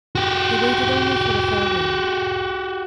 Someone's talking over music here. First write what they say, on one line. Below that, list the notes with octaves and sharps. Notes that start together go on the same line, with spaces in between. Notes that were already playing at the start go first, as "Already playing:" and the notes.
They waited only for a fair wind.
F#4 G4